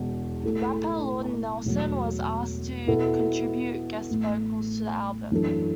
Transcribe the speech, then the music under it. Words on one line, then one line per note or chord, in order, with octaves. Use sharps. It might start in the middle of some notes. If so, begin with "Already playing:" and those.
Rapper Lord Nelson was asked to contribute guest vocals to the album.
Already playing: E1 E2 B2
A1 A2 A3 E4 A4
E1 E2 B2 F#3 A3
B2 B3 E4 A4
A1 A2 A3
F#2 E3 D4 A4